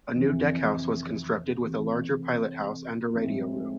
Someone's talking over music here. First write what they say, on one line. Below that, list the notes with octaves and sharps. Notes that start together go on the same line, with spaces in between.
A new deckhouse was constructed with a larger pilothouse and a radio room.
F2 C3 E3
C3 E3 A3 C4
A2 F3 G#3 C4 D#4